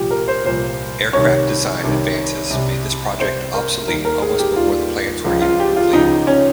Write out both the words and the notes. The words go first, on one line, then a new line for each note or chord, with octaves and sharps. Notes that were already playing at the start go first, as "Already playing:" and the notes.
Aircraft design advances made this project obsolete almost before the plans were even complete.
Already playing: C2 A#2 F3 G4
A#4
C5
C2 A#2 F3 C5
C2 C3 D#3 C#5
C2 C3 D#3
C2 C3 G3
C2 C3 G3 C5
A#4
D#2 D#3 G3 A#4
A#4
G#4
G4
D#2 D#3 G3 F4
C#2 C#3 F3
F4
G4
F4
C#2 C#3 F3 D#4
C#4